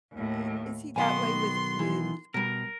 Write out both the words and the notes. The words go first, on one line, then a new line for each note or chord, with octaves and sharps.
i is he that way with with
D#2 A2
B1 D#3 B3 F5 G#5 C6
E3
B2 G3 A#4